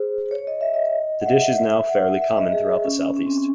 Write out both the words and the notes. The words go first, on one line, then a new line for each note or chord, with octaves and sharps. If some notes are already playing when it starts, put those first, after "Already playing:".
The dish is now fairly common throughout the Southeast.
Already playing: G#4 C5
C#5
D#5
E5
D#5
F#5
E5
E5
E5
F#5
E5
D#5
G#4
C#4
C#4
C4
C#4